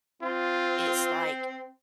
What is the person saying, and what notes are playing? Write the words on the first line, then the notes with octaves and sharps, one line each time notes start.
It's like
C4 F4